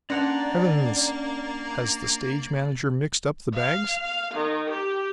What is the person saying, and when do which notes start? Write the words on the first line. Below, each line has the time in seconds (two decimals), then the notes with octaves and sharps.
Heavens! has the stage manager mixed up the bags?
0.10 A#3 C#4 D4 D5 F#5 A#5
3.54 F5
4.03 F5
4.34 D#3
4.70 G4